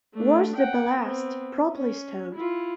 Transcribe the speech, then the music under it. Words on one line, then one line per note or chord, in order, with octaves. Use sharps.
Was the ballast properly stowed?
A3 D4
F#5 G5
B3 C4
C#4
E4 F4